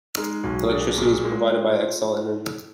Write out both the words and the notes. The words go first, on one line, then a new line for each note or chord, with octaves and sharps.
Electricity is provided by Xcel Energy.
G#3 D#4
B1 F#4
D4 G#4
G#4
A#2 F#4
G#3 F4